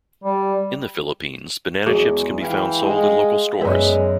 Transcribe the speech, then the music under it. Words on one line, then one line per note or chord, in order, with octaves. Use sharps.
In the Philippines, banana chips can be found sold at local stores.
G3
E2 G#3 F#4 G#4
E3 E5 F5 G5
G#3
F#2 G#3 B3 B4 D5 E5